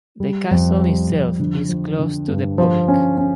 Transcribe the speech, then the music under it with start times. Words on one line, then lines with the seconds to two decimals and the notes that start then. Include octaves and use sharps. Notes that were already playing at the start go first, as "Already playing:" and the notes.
The castle itself is closed to the public.
0.20 G3
0.51 F2
0.80 G3
1.10 F2
1.40 D3
1.69 F3
1.99 D3
2.28 G2
2.58 F3
2.88 C#4
3.18 C#4